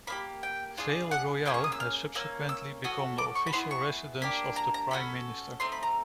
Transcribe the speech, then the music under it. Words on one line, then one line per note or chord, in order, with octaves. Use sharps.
Vale Royal has subsequently become the official residence of the Prime Minister.
A#3 D4 G4 B5
G5
D4 F4 G#4
F#5
A#3 C#4 G#4 G5
C#6
D#6
E6
F6
A#3 C#4 E6
E6
C#4 F#4 A4 D#6
D6
C#6
B5
B3 E4 G#4 C6
C#6
A#3 D4 G4 B5
A#5
A#5
C#4 F#4 A4 B5
A3 C4 D#4 C6
B5
A#5